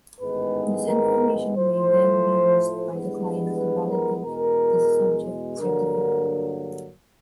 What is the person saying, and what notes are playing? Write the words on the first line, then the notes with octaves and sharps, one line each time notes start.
This information may then be used by the client to validate the subject certificate.
A1 G#2 D#3 G#3 B3 B4
A#4
A2 F3 A3 C5
G2 E3 G#3 B3
B4
A#4
E2 B2 G#3 A#4
G2 D3 F#3 A#3 A#4